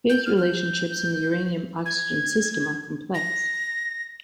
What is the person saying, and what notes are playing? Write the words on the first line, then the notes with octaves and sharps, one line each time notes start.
Phase relationships in the uranium-oxygen system are complex.
G6
F6
F6
G6
G#6
A#6